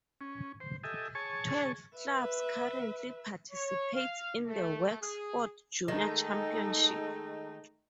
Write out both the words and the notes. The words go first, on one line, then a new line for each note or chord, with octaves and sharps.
Twelve clubs currently participate in the Wexford Junior Championship.
C#4
C5
G4 A4 D#5 E5 G#5
G#4 C#5 G#5 A5 C#6
B4 E5
C#5
F5
A3
G#4
D#3 G#3 A3 D#4 G#4 A4